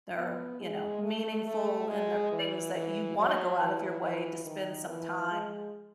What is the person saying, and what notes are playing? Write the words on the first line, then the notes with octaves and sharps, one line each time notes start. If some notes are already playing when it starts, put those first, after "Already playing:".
They're, you know, meaningful, and they're things that you wanna go out of your way to spend some time,
B3
G#3
A3
A3
G#3
E3
E3
F#3
E3
E3
D#3
E3
G#3